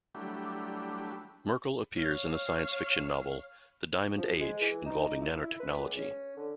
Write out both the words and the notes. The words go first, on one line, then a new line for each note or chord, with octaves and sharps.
Merkle appears in the science fiction novel "The Diamond Age", involving nanotechnology.
F#3 G3 A3 D4 E4 G4
C#5 F5
F3
G#3
E3
D#4
D#4
E4
E4
B4
C#2
C#4
D3